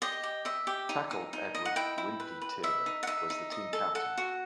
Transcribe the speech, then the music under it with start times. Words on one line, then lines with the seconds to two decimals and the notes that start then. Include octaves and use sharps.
Tackle Edward "Wimpy" Taylor was the team captain.
0.02 G4 D#5
0.23 G4
0.45 D#5 E5
0.67 G4
0.89 D#4
1.11 D#4
1.33 D#4
1.55 D#5
1.65 F#5
1.76 E4 G5
1.98 E4
2.20 B4
2.42 B4
2.63 D#5 E5
2.86 D#4
3.03 F#5
3.07 D#4 E5
3.30 D#4
3.52 D#5
3.73 A4
3.95 A4 F#5
4.18 F#4